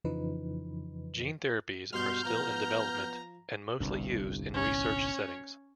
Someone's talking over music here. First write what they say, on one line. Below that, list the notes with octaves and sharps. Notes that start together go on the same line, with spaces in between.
Gene therapies are still in development and mostly used in research settings.
F2 C#3 E3 F3 D#4 B4
G2 B2 F#4 F#5 C6 F6 G6
F3 B3 A#5
G1 C2 G2
C#4 C#5